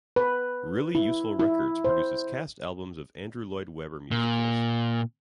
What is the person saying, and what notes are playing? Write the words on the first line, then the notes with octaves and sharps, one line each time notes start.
Really Useful Records produces cast albums of Andrew Lloyd Webber musicals.
B4
E4
E4
C5
A#2